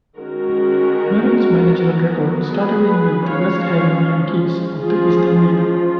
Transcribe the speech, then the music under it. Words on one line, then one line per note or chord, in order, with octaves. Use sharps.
Merrill's managerial record started in with the West Haven Yankees of the Eastern League.
D#3 G#3 C#4 F#4 A#4
F#3 B3
G#4 B4
F3 G#3 C#4 C#5 F5
F3 G#3 C#4 F4 G#4
F4